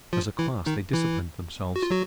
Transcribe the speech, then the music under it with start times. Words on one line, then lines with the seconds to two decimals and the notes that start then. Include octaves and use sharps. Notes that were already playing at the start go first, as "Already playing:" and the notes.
As a class, they disciplined themselves.
0.13 F3 F4
0.39 E3 E4
0.66 D#3 D#4
0.93 E3 E4
1.76 F#4
1.83 F4
1.91 F#3 F#4